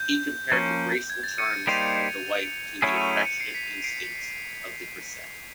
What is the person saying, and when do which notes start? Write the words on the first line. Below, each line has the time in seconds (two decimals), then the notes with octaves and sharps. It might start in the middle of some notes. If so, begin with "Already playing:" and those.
He compared the graceful charms of the wife to the affectionate instincts of the grisette.
Already playing: G6
0.52 F3 A#3 C#4
1.10 G#6
1.24 A6
1.38 C#7 D#7
1.67 G3 A#3 D#4 G4 C5 D#7 F7
2.82 F#3 A3 C#4 E4 G#4
2.97 D#7 F7
3.11 C#7 D#7
3.25 C#7 D#7
3.40 C7 D7
3.54 B6 C#7
3.84 C7 D7